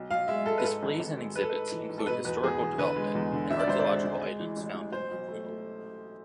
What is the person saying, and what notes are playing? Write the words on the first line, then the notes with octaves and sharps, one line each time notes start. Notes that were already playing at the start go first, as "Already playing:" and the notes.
Displays and exhibits include historical development and archaeological items found in Lamphun.
Already playing: B1
B1 F5
G#3 E5
G#3 A4
B4
G#2 A4
G#1
G#1
G#3
G#3 B4
A4
G#2 B4
E3
G#2
A4
B2 B4
E2 B4
E2 G#4
E2
D3 B4
G#3
E2
D3
G#1 E5
D5
G#1 C5
D5
G#3
G#1
G#3
E3
A1
A1
B1 C5
B1
A3
A3